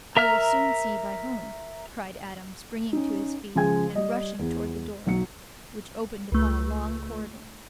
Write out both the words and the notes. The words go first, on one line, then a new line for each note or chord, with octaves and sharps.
"I will soon see by whom," cried Adam, springing to his feet, and rushing towards the door, which opened upon a long corridor.
A#4 E5 A#5 F6
C#4 D#4
C#3 F3 G#3 G#5 G#6
G3 D#5
E2
B1 F#3 C#7
C#2 A3